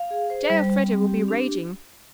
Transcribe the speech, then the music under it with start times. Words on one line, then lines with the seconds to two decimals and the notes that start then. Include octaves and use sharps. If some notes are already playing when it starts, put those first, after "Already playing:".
J. Elfreda will be raging.
Already playing: F5
0.11 G#4
0.30 C5
0.50 G3
0.70 G3
0.89 C4
1.08 G4
1.28 D4